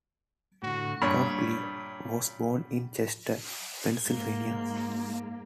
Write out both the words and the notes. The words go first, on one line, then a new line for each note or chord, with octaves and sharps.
Pompilli was born in Chester, Pennsylvania.
A2 D3 F#4
G2 A#2 C#5
G#2 A#3